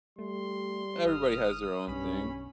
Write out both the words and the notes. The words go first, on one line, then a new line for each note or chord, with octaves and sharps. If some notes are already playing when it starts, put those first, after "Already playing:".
everybody has their own thing.
G3 A3 C6
G1 D#6 F6
B1 G2 C#4 B5